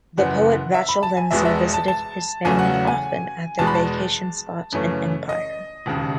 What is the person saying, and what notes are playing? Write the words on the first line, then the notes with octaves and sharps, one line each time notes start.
The poet Vachel Lindsay visited his family often at their vacation spot in Empire.
F#1 F#2 E3 F#5
E5
B5
A5
G#5
E1 E2 B2 G#3 E5
E5
A5
A5
E2 C#3 F#3 A3 C#4 G#5
F#5
F#5
G#5
E2 B2 G#3 A5
B5
A5
F#2 C#3 E3 A3 C#4
D#5
E1 D#2 C#3